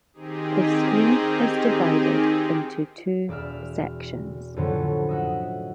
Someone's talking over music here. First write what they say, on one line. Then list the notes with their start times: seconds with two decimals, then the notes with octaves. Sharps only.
The screen is divided into two sections.
0.13 D#3 C4 D#4 G4 G#4
3.28 E1 D5 E5 F6
4.56 F2 A2 D3 F#3 B3 C#4
5.09 D#5 E5 F#5